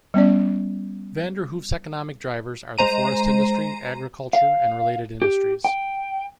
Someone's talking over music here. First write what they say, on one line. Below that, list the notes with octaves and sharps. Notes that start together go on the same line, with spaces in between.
Vanderhoof's economic drivers are the forest industry, agriculture, and related industries.
G3 B3 C#4 D5
G#3 C5 A#5 D#7
F5
G4
G5